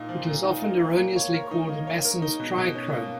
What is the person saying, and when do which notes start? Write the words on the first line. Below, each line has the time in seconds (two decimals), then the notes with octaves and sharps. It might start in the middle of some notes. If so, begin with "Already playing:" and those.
It is often erroneously called Masson's trichrome.
Already playing: A#2 A#3 D#4
0.09 F3
0.27 A#2
0.44 D#4
0.62 A#3
0.80 F3
0.97 A#3
1.16 C#5
1.34 A#4
1.51 D#4
1.69 A#3
1.87 C#5
2.05 A#4
2.22 D#4
2.40 B2
2.58 B2
2.75 C#4
2.93 A#3